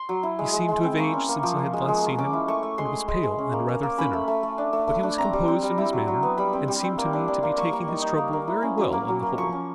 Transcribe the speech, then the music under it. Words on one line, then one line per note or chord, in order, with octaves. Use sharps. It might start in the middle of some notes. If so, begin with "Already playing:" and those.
He seemed to have aged since I had last seen him, and was pale and rather thinner, but he was composed in his manner and seemed to me to be taking his trouble very well on the whole.
Already playing: C6
F#3
E4
G#3
G#3
G#3
C4
A#3 C#6
C#4
A#3
F3
F4
G#3
G#3
G#3
C#4 D6
E4
A3 C#6
A3
G#3 C6
G#3
G#3
G#3
C#4
A#3
A#3
A#3
C#4 B5
A3
A3
A3
D4
A3
A3
D4
C4 A#5
G3
C4
G3
E4
F#3
F#3
B3
G3 B5
C4
G3
C4
A#3
D4
D4
A#3
A#3 C#6
A#3
D#4
D#4
A#3
A#3
E4
C#4
F#3
A#3
F#3
A#3
F3 C#6
C#4